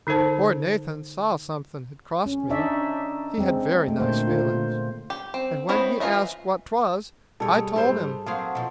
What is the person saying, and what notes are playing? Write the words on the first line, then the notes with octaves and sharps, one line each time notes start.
Poor Nathan saw somethin' had crossed me,--he had very nice feelings,--and when he asked what 'twas, I told him.
D3 D#4 A4 C5 A5
C#4
D4 D#4 C#5 D5 E5
G#3 C4
A3
A#2 D3 A#3 C5
F4 C5
G4
C4
B3 C4 E4 C#5 D#5
E3 D#4 F4 D#5 E5
B2 G3 G#4 A4 C#5
G#2 G3 C5
F#3 A#3 C4 F5 F#5 C#6 D#6
B2 F3